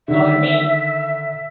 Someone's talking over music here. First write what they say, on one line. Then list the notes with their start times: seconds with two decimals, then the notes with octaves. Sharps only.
Nor me.
0.08 D3 D#3 E5